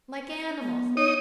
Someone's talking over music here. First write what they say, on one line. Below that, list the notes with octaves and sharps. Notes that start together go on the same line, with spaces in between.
Like animals!
B3
D#4 C#5 D#6